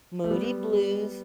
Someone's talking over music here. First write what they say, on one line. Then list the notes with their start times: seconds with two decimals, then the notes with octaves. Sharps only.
Moody Blues.
0.24 A3
0.30 G3 B3